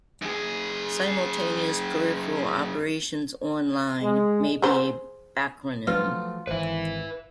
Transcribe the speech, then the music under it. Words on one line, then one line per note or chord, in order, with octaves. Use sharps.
"Simultaneous peripheral operations on-line" may be a backronym.
F#2 G#4
G#3
G#4 C5
F3 F#3 A3 F4 B4
G#1 E3 B4 C5 E5